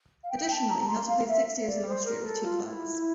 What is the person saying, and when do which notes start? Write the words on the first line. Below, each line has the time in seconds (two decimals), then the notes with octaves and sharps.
Additionally, he also played six years in Austria with two clubs.
0.23 F5
0.31 G5
0.50 A5
0.69 A#5
0.83 A#5
0.88 C6
1.08 F5
1.27 E5
1.66 D5
1.86 C5
2.04 A#4
2.24 A4
2.44 F4
2.63 E4